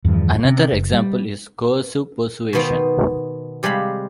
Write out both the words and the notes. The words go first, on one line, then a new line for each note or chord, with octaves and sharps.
Another example is coercive persuasion.
E2 G2 D#3 F3
C3 C#4
F#1
G3
B2 D#3 B3 C5 G5
C3 G3 G#3 F5 B5